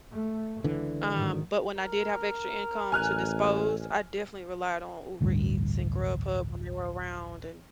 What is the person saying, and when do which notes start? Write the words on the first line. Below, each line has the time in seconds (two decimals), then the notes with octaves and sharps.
um, but when I did have extra income to dispose, I definitely relied on Uber Eats and Grubhub when they were around and
0.11 A3
0.64 C#2 D3 E3
1.12 G#2 D#3
1.77 A#4
2.92 A1 G#5 F6 F#6
5.21 A1 D2 G2 G3